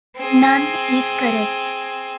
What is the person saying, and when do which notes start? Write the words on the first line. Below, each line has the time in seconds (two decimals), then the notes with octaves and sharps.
None is correct.
0.16 C4 G#4